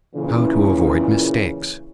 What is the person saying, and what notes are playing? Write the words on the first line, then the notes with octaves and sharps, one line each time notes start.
How to Avoid Mistakes.
A#2 C#3 E3